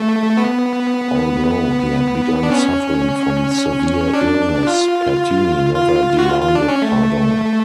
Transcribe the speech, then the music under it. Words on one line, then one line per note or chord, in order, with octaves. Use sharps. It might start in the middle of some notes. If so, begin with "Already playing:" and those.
Although he had begun suffering from severe illness, Pertini never demanded pardon.
Already playing: A3
B3
D4
C#4
D4
F4
F4
F#4
F4
F4
D4
C#4
A3